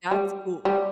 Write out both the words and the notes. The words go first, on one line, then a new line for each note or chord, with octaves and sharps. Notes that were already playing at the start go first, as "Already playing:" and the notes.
That's cool.
G3
G3